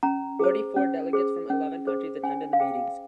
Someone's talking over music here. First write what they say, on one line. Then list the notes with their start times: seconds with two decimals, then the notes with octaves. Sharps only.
Forty-four delegates from eleven countries attended the meetings.
0.03 C#4 A#5
0.39 G#4 C5
0.77 C#4
1.13 G#4 C5
1.50 C#4
1.87 G#4 C5
2.23 C#4 G#5
2.53 F5
2.60 G#4 C5 G5